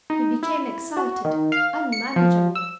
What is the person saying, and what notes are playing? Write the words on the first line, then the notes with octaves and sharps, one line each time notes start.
He became excited, unmanageable.
D#4
E4
F#4
D#3
F5
C#7
F3
E6